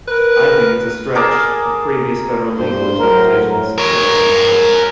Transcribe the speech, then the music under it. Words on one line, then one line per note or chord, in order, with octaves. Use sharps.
"I think it's a stretch" of previous federal legal interpretations, said Eckenwiler.
A#4 B4
G#4 A#4 A5 D6
G2 C5
A2 F#3 A#4
A#4 C#5